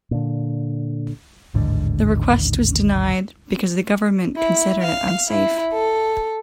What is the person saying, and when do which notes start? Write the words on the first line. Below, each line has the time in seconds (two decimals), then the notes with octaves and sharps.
The request was denied because the government considered it unsafe.
0.11 A#2 D3
1.54 A1 D#2 G#2 D3
4.37 E4
4.82 F5
5.29 E4
5.73 A4